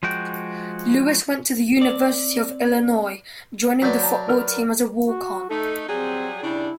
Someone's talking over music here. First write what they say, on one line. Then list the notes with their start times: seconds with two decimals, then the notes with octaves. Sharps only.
Lewis went to the University of Illinois, joining the football team as a walk-on.
0.03 F3 G#3 F#4 G5
1.77 C4 D5
3.82 F#3 D4 B4 G6 B6
4.03 A5 A#5
4.28 A#4 B4 F6
5.09 F#4
5.50 A3 D#4 A4
5.88 F#3 G3 C4 G#4
6.43 C#3 G3 D4 E4